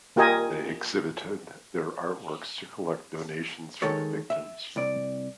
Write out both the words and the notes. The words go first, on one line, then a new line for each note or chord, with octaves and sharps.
They exhibited their artworks to collect donations for the victims.
A#3 F4 G4 A#4 D#5 G#5
D#3 G#3 A4 C#5
E5
C2 D5